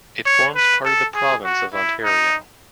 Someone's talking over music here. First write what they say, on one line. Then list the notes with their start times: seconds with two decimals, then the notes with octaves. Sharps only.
It forms part of the province of Ontario.
0.26 C#5
0.56 B4
0.85 A4
1.15 G#4
1.44 F#4
1.74 E4
2.04 D#4